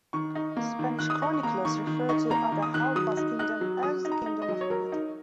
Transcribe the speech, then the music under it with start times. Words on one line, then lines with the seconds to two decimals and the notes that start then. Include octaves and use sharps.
Spanish chroniclers refer to Atahaulpas' Kingdom as the Kingdom of Quito.
0.13 D#3 C#6
0.35 D#4
0.57 A#3
0.79 D#3
0.99 D#3 F#6
1.10 D#6
1.22 D#4 C#6
1.34 C#6
1.43 A#3 A#5
1.65 D#3 C#6
1.87 D#3
2.09 D#4 C#6
2.30 A#3 A#5
2.52 D#3
2.62 D#6
2.74 D#3 F#6
2.96 F#3 D#6
3.17 D#4
3.39 D#4 F#6
3.61 F#3
3.83 F#3 D#6
4.05 D#4
4.12 A#5
4.26 D#4
4.42 D#5
4.48 F#3
4.61 C#5
4.70 F#3 A#4
4.92 D#4